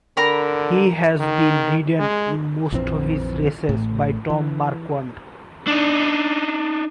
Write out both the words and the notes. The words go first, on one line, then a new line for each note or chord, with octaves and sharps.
He has been ridden in most of his races by Tom Marquand.
D3 A#4 A#5 B5
D#3
G#3
A#1 F2 E3 C4
A1 A2
E3
D4 D#4